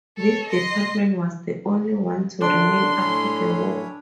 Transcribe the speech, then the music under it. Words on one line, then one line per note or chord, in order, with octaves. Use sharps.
This department was the only one to remain after the war.
A4 C#5
D#5 C6
F#2 D3 D4 C6
A2 C#4 E4 C#5